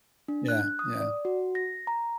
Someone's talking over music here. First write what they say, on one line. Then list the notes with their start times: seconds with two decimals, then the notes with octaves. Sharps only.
Yeah, yeah.
0.28 D4
0.48 F#6
0.79 D#6
1.00 D5
1.25 F#4
1.55 A#6
1.87 A#5